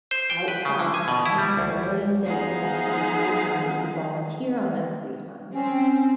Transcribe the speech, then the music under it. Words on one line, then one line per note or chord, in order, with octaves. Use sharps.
outside time 'cause I know you said you have some free time, but you volunteer on that free time,
C5
G5
B4
C#3
D3
G#5
B2
E4
G3
D2
B3 D#4 G#4 C5 F5 F#5
C4 C#4